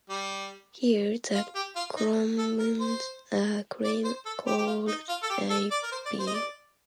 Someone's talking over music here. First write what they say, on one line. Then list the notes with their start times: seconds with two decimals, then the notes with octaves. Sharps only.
Here, the columns are cream colored I-beams.
0.09 G3
1.34 F4
1.55 G4
1.76 F4
1.96 D#4
2.38 A4
2.59 A#4
2.80 C5
3.84 D5
4.04 C5
4.25 A4
4.47 G4
4.57 G4
4.67 F4
4.87 D#4
5.09 F4
5.23 A4
5.30 G4
5.50 A4
5.71 D5
5.83 A#4
5.92 C5
6.05 D5
6.19 C5
6.27 D#5
6.34 D5